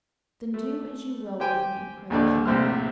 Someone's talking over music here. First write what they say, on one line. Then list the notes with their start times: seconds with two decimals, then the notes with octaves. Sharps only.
"Then do as you will with me!" cried the king.
0.54 A3
1.40 G4 C5 G5 G#5
2.10 A#1 D#2 D3 D5
2.46 A#1 A2 C3 C5 F6